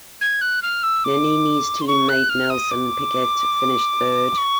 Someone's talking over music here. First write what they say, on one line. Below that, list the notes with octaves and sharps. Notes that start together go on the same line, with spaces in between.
Nannini's team-mate Nelson Piquet finished third.
G#6
F#6
F6
E6
D6
C6
C#6
F#6
F6
D#6
D6
C#6